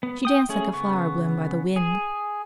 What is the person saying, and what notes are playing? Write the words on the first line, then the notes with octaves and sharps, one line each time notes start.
She danced like a flower blown by the wind.
B3
G5 D#6
A3 C#4 G#4
C#3 B3 C#6
G#4